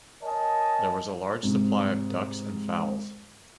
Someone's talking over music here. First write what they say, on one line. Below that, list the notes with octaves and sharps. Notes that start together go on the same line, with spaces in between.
There was a large supply of ducks and fowls.
A#4 C#5 D#5 G#5 A5
G#2 C3